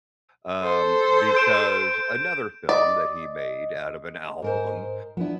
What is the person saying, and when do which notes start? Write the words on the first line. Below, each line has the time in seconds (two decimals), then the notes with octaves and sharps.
um, because another film that he made out of an album
0.62 A4 C5
1.35 G6 D7 E7
2.69 D5 D#5
4.42 G#2 A#4 C5
5.17 F3 B3 D4 E4